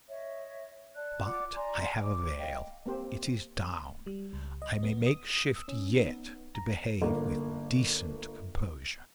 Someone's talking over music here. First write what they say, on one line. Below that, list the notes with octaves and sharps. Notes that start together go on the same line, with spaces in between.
But I have a veil--it is down: I may make shift yet to behave with decent composure.
C#5 D#5 E5
D5 A5 F#6
F4 D5 F#5 D6
D5 G#5 A#5 C6
D6
D#5 F5 G5
A#3 C4 G4 C5
G3
C#2
D#5
B3
D#6
E6
C#4
D#4
B3
A#5
G1 A#3